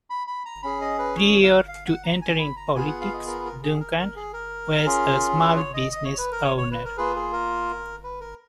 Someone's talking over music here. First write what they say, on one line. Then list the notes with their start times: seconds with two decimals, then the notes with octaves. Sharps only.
Prior to entering politics, Duncan was a small business owner.
0.10 B5
0.27 B5
0.46 A#5
0.63 C#4 G#4 B5
0.81 D#5
0.99 B4
1.16 C#5
1.43 F5
1.68 F5
1.87 F#5
2.04 A#5
2.22 G#5
2.39 B5
2.56 A#5
2.75 B3 F4 G#4 G#5
2.87 F#5
3.01 F5
3.14 D#5
3.27 A#4
3.39 B4
3.45 A#4
3.63 G#4
3.80 A#4
3.98 A#4
4.16 G#4
4.33 A#4
4.86 C#4 F4 G#4
5.39 B4
5.56 C#5
5.74 D#5
5.92 D#5
6.04 C#5
6.18 B4
6.32 A#4
6.44 C#5
6.57 C#5
6.71 B4
6.85 A#4
6.97 A#3 F4 G#4 B4
7.16 G#4
7.33 A#4
8.04 B4
8.21 A#4